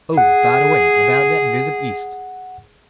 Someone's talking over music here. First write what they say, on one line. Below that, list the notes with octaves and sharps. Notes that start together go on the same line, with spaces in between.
Oh, by the way--about that visit East.
G#4 F#5